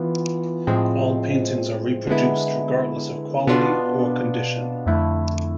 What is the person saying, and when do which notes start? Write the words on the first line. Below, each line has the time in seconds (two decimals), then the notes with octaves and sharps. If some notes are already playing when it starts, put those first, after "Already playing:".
All paintings are reproduced regardless of quality or condition.
Already playing: E3 B3 F4
0.67 A2 F3 G#3 C4
2.07 D3 G#3 B3 E4
3.47 B2 B3 D4 F4
4.86 F2 D3 A3 E4